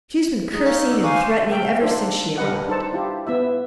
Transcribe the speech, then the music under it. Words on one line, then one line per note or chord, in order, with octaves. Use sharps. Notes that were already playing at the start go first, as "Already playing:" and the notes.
She has been cursing and threatening ever since she arrived.
G#3 D#4
C#4 F4 A4
D3 E6
D4 F5 G#5 C#6
C5
A3 A#4 E5 G5
D4 D#4 F4 C5 E5
G3 D4 A#4 B4 D#5 F#5
D4 D#4 A4 C5 A5
E4 F4 G4
B3 E4 E5